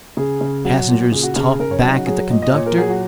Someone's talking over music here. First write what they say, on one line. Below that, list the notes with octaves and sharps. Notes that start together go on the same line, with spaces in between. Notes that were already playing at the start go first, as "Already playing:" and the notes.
Passengers talk back at the conductor.
C#3 G#4
C#3
F#3 F#4
A#2
C#3 G#4
F#4
C#3 G#4
C#3 A#4
C#5
F#3 D#4
F#4
F#3 G#4
A#2 D#5
D#5
A#2 C#5
A#4
F#3 G#4
F#4